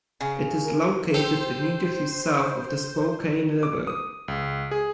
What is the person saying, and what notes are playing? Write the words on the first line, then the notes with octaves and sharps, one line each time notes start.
It is located immediately south of the Spokane River.
C#3
A#4
G4 A4 C5
D6
D#6
C#2
G#4